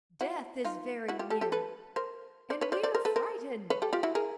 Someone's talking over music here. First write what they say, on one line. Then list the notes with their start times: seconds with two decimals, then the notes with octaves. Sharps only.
'Death is very near, and we are frightened!'
0.21 E4 F#4
0.65 D#4 F4
1.08 E4 F#4
1.19 F4 G4
1.30 G4 A4
1.41 G4 A4
1.52 A4 B4
1.96 A#4 C5
2.50 C5 D5
2.61 B4 C#5
2.72 C5 D5
2.83 C5 D5
2.95 A#4 C5
3.05 A4 B4
3.16 A#4 C5
3.70 B4 C#5
3.82 G4 A4
3.93 F4 G4
4.03 E4 F#4
4.15 G#4 A#4